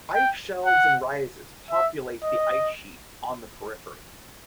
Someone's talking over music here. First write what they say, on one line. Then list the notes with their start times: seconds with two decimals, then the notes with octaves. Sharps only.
Ice shelves and rises populate the ice sheet on the periphery.
0.14 G5
0.66 F#5
1.71 E5
2.23 D#5